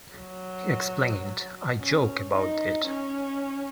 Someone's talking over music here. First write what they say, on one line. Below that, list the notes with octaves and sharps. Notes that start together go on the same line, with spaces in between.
He explained: I joke about it.
F#3
C#4
D#4
C#4